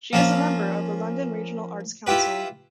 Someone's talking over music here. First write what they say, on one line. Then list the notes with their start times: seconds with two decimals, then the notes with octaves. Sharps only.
She is a member of the London Regional Arts Council.
0.13 F3 A#3 C#4 F4
2.07 E4 F4 G4 B4